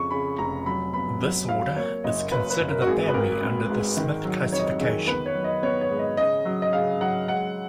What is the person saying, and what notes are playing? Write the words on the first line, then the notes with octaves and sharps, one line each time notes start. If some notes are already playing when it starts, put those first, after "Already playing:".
This order is considered a family under the Smith classification.
Already playing: F2 C#3 C#6
C#3 B5
F1 A#5
F#3 B5
B3 B5
F#3
F#3 F5
A#3 C#5
F#1 D#5
F#2 B4
B4
F#2
A#4
F#4
G#1 G#4
B4
G#1 A#4
G#1
G#2
D#3
F#3
F2 C#5
D#5
C#5
D#3 G#4
B3 B4
C#5
F#3
D#5
B3 C#5
C#5
G#2
D#5
C#3 D#5
F#3
D#5
C#3 F5
F#3 F#5
G#3 F#5